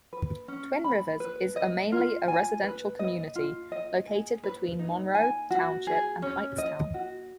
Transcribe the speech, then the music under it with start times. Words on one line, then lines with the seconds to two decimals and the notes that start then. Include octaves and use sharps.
Twin Rivers is a mainly a residential community located between Monroe Township and Hightstown.
0.13 B4
0.48 C#4
0.84 B5
1.20 B4
1.56 D#5
1.92 F4
2.28 G#5
2.64 B4
2.99 D#5
3.36 F4
3.72 D#5
4.07 G#4
4.43 B4
4.79 D#4
5.15 G#5
5.51 F#4
5.87 G#4
6.22 C#4
6.58 D#5
6.94 F#4